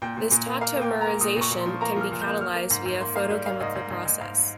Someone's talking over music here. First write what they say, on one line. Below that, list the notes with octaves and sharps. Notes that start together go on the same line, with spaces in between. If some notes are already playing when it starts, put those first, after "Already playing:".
This tautomerization can be catalyzed via photochemical process.
A#2 G5
A#2
A#2
A#3
A#3 F5
A#3
G5
A#3
A#3 A#5
A#2 D#6
A#2 C#6
A#2
C6
F3
A#3 A#5
F3 F6
A#2
A#3 G6
A#3 F6
A#3
G#2
G#2
A#3 C6
A#3 F5
G3
A#3 F5
G#2 D#5
G#2
G#2
G#2
G#2 F5